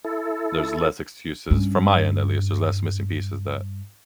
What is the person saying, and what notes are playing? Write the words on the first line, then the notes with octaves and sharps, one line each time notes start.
there's less excuses from my end, at least. There's less missing pieces that,
E4 A4
G2 C#4